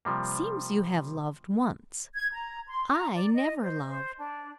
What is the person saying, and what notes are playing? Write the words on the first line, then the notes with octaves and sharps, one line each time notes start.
"It seems you have loved once; I never loved."
C3 F3 G3 A#3
G#6
A#5
C6
A#5
D5
D#5
C5
C5
D4